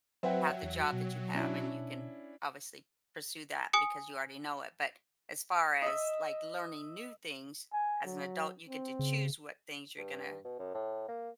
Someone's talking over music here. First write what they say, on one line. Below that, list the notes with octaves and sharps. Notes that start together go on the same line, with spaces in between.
have the job that you have, and you can obviously pursue that because you already know it. But as far as, like, learning new things, as an adult, you get to choose what things you're gonna
F#3 C4 B4 C5 E5 F#5 G5
E2
B2
C#4 D4 E4
G#5 D#6 C#7
D#5 E5
G#5
F#3
C4
C#3
G2
B2
F#2
A2
A#3